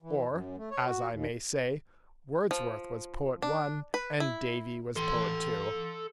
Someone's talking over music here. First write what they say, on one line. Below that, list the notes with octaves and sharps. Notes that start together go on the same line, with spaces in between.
Or, as I may say, Wordsworth was poet one, and Davy was poet two.
E3
F#2
A3
C#5
F#4
D#2
F3
D4
B4
E4
A4 C6